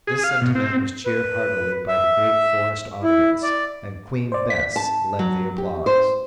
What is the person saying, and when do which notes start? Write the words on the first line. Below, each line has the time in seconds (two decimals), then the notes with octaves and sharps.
This sentiment was cheered heartily by the great forest audience, and "Queen Bess" led the applause!
0.07 G#4
0.24 F5
0.42 B2
0.55 C4
1.06 B4
1.88 E5
3.03 E4
3.43 D5
4.32 C5 D5
4.50 B6
4.76 A5
5.19 F#3
5.58 G4
5.86 C5